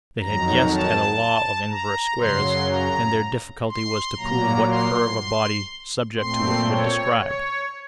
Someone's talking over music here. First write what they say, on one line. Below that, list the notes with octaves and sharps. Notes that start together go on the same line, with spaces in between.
They had guessed at a law of inverse squares, and their difficulty was to prove what curve a body subject to it would describe.
F2 D#3 F#3 A#5
A5
A#5
F#2 C#3 F#3 C6
A#5
C6
A#2 F#3 A#3 A#5
C6
A#2 A3 C4 C6
C#5
C#5